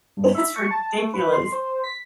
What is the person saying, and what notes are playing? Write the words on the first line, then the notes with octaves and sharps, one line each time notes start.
It's ridiculous.
G2
E5
C#6
A5
A3
B4
C6
C5
B6